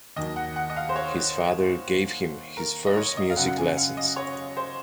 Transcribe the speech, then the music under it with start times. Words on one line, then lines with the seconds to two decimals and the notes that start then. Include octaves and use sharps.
His father gave him his first music lessons.
0.16 D#2 D#3 F#3 D#5
0.36 F#5
0.56 F#5
0.70 D#5
0.76 F5
0.89 C5
0.96 C#5
2.57 A#4
2.86 D#5
2.97 C#5
3.17 D#5
3.30 F5
3.36 F#2 C#3 F#3 F#5
3.47 F#5
3.57 G#5
3.77 F5
3.97 D#5
4.16 C#5
4.57 C5